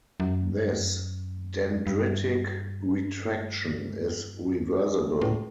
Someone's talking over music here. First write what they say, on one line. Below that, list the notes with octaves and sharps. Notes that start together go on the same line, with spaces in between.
This dendritic retraction is reversible.
F#2
G2
F#2
G2
A2